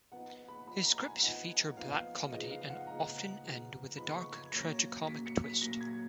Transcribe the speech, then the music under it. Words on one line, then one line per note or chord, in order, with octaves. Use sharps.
His scripts feature black comedy and often end with a dark tragicomic twist.
F3 B3 D#4 F#5
B5
F3 B3 D#4 B5
A#5
G#5
F3 B3 D#4 F#5
F3 B3 D#4 F5
C#3 F3 G#3 B3 D#4 D#5
F5
F#5
C#3 F3 G#3 B3 D#4 A#5
C#3 F3 G#3 B3 D#4
C#3 F3 G#3 B3 D#4 B5
C#6
G#6
A#2 F#3 A#3 C#4 A#6
A#2 F#3 A#3 C#4 B6
C#7
B6
A#2 F#3 A#3 C#4 A#6
G#6